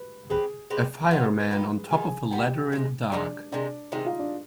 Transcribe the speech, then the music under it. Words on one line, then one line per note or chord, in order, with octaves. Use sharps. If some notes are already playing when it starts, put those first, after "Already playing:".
A fireman on top of a ladder in the dark.
Already playing: B4
G#3 C4 G4 G#4 B4
G#3 C4 G4 B4
D#3 B3 F4 B4
G#4
B4
D#3 B3 F4 B4
D#3 B3 F4 G#4 G#5
D#3 B3 F4 G4 G5
C3 D#3 G#3
C3 D#3 G#3 D4 D5
C3 D#3 G#3 D4 D5
C3 D#3 G#3 D#4 D#5
F4 F5
D4 D5